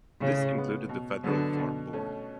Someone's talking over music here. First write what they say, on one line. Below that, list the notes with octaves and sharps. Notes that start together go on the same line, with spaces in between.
This included the Federal Farm Board.
A2 C#3
G#3 B3
B2
D3 F#3 B3
B2
A3 C#4